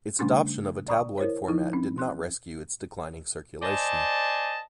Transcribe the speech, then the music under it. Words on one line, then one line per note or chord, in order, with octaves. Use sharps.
Its adoption of a tabloid format did not rescue its declining circulation.
C#3 G3 A3 C#4 D4
D5 A#5 B5 C#6 D#6
E4 A#4 C5 C#5
F3 D#4 E4
C4 C#4
C6 F#6
C5 D5 D#5 G#5 A5